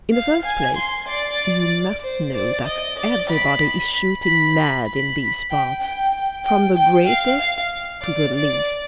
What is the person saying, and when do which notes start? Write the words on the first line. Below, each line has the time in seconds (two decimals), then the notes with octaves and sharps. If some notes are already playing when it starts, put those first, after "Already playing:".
In the first place you must know that everybody is shooting mad in these parts, from the greatest to the least.
0.13 F5
0.46 G#5
0.76 C6
1.08 D5
2.03 C5
2.34 D5
2.66 D#5
2.98 D5
3.29 B5
4.23 B5
4.87 B5
5.50 G5
5.81 G5
6.45 G5
6.77 G5
7.07 F5
7.39 F5
8.02 D5
8.34 D5